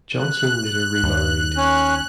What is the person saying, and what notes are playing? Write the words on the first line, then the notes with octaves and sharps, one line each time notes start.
Johnson later remarried.
F#6
D#2
C#4